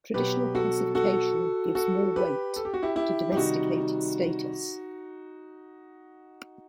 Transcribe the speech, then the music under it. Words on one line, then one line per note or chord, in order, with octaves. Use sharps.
Traditional classification gives more weight to domesticated status.
B2 F#3 G4 B4
F#4 A4
F#4 A4
F#4 A4
G4 B4
A4
G4
F#4
E4 G4
E4 G4
G4
C3 D#3 G3 D#4 F#4